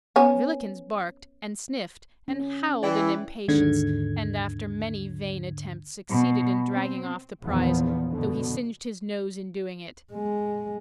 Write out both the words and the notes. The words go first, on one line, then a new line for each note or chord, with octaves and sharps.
Villikins barked, and sniffed, and howled in impatience, and after many vain attempts succeeded in dragging off the prize, though he singed his nose in doing it.
B3 C#4
C#4
E3 E4 D5 G5
D#2 G#2 D3 G#6
B2
C4
E2 A#2 D#3 F3 B3
F#2 B2 D3
G#3